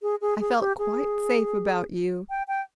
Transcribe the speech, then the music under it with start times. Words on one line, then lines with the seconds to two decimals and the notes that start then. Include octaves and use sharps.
I felt quite safe about you.
0.02 G#4
0.21 G#4
0.40 G#4
0.59 G4
0.79 G#4
2.30 G5
2.48 G5